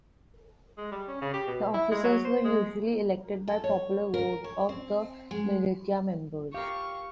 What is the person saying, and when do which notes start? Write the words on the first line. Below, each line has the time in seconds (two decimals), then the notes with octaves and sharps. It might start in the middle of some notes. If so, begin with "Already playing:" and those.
The officers were usually elected by popular vote of the militia members.
0.77 G#3
0.91 G3
1.08 C#4
1.21 C#3
1.33 G4
1.47 B2
1.74 E4
1.91 G#3
2.04 F#3
2.25 C5
2.44 G#3
3.48 A4
3.64 C#5
4.14 A#4
4.44 C#5
4.69 C4
5.31 G#3
6.54 G4 A#4 F5 C#6